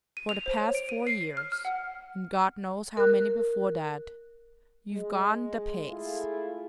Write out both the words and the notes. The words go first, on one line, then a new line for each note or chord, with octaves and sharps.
For the past four years, and God knows how many before that, you've gone the pace.
D#7
F7
C5
C#5
D7
D#7
C7
F6
F6
F#5
A#4 F#6
G#3
A3 E4 F4 G#4